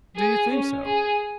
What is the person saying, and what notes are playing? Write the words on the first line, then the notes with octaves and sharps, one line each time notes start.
"Do you think so?"
G#4
C#4
G#4